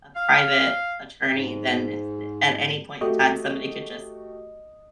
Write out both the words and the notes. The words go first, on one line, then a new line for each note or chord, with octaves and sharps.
a private attorney, then a a at any point in time, somebody could just
F5
G#2
A3 F#4 G4 D#5